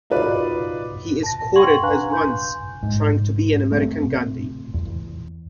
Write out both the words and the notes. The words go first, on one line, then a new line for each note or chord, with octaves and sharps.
He is quoted as once "trying to be an American Gandhi".
D#4 F4 F#4 B4 D5 F5
A5 A#6
F#5 G5 C6 C#6 G#6 F#7
D4 B4 F5 G#5 A#5 F#6
G#5 C6 G6
G#2
A3 C4
E2